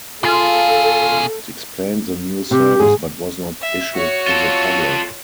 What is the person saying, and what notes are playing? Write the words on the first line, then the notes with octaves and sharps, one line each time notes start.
It explained the new service but was not issued to the public.
B2 F4 G#4 A4
C3 G4
G#2 G#3 G#4
E5
F#4 C#5
F4 A4